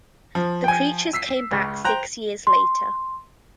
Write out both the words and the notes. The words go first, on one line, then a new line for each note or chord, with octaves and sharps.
The Creatures came back six years later.
F3
G5 G#5
E6 B6 C7
C#2 C#3
C5 G5 A#5 F#6
C6